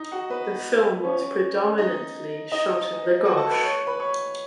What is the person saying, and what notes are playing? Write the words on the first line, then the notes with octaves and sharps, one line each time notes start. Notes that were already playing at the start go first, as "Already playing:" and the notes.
The film was predominantly shot in Lagos.
Already playing: D#4 D#5
F#4 F#5
B3 B4
C#4 C#5
D#4 D#5
D#4 D#5
F#4 F#5
A4 A5
B4 B5
C#5 C#6
B4 B5
C#5 C#6